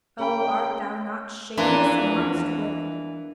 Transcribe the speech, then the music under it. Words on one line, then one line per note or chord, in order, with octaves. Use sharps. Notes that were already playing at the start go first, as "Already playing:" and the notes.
O art thou not shameless amongst women!
C#3 A#3 G5 B5
E2 E3 F3 A#3 D4 C6